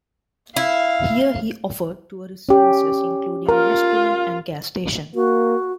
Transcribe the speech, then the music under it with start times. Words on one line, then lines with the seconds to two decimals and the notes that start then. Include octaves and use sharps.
Here he offered tourist services including a restaurant and gas station.
0.56 E4 F5
2.49 C#4 G4
3.49 F4 A#4
5.15 A#3 F#4